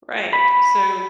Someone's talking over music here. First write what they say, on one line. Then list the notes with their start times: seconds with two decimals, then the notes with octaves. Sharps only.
Right, so
0.33 B5